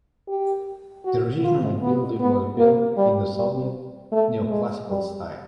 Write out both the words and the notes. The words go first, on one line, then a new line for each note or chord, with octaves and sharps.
The original building was built in the Soviet neoclassical style.
G4
F#4
F4
B3
B3
A#3
G3
G3
A3
G#3
G3